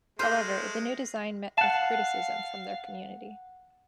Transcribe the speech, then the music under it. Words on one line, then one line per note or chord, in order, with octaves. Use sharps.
However, the new design met with criticism from their community.
G#3 A3 B4 C5 C6 F6 G6
F5 F#5 A5